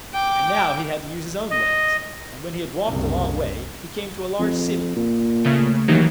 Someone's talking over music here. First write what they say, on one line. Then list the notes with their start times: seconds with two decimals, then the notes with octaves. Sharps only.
And now he had to use his own legs, and when he had walked a long way, he came to a large city.
0.13 G5 D6
1.51 D#5
2.88 F#1 C2
4.39 F2
4.96 A#2
5.44 C#3 A3
5.88 D#2 D#3 E3 F#3